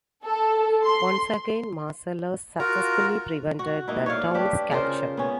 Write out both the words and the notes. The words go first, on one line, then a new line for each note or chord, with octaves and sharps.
Once again, Marcellus successfully prevented the town's capture.
A4
C6
F4 F#4 A#4 A#5
F#4
A#3 D#4 E4
C#5 D5 F5
D4 G4 B4
C#3 F4 A#4 C5
B3 C#4